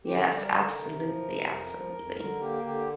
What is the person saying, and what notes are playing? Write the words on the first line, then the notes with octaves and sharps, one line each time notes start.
Yes, absolutely, absolutely.
D3 G4
G3 G4
A#4
D3
C3
F3
C3
F2
F3
F2
D3 A#4
A#3 G4
D3 G4